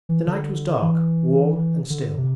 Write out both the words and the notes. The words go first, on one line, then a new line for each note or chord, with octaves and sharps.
The night was dark, warm, and still.
E3
D3
E3
D3
C3